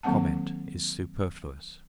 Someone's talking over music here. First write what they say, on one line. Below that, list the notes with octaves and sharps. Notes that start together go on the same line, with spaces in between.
Comment is superfluous.
D#3 F#3 A#3 C4 F#5 A5